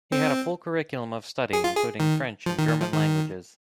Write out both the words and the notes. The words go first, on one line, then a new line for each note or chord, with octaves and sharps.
He had a full curriculum of study, including French and German languages.
C4
G#4
F4
G#4
D#3
F3
D#3
D#3
F3
D#3